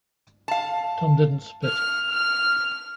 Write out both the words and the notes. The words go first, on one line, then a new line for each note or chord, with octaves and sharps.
Tom didn't spit.
F5 A5
F6
F6